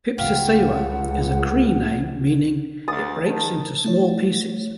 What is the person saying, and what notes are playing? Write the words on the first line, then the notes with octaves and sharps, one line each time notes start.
"Pipsissewa" is a Cree name meaning "It-breaks-into-small-pieces".
C#2 G4 F5 F#5
D2 D#6 A6
D#3 A5
A3 E4 C#5